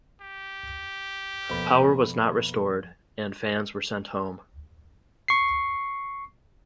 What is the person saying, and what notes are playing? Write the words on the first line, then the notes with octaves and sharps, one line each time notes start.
Power was not restored and fans were sent home.
G4
F2 B2 A#3 B4
C#6 C7